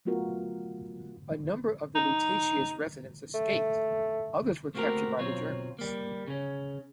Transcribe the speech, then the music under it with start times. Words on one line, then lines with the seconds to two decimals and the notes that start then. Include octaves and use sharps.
A number of the Lutetia's residents escaped; others were captured by the Germans.
0.05 F#3 A3 B3 F4 F#4 A#4
1.95 D#4
3.34 A3
4.75 A3 A#3 C4 F#4 G4 A#4
5.19 B1 F#3 C4 F4 C#5
5.79 G3 A#3
6.28 C#3 C#4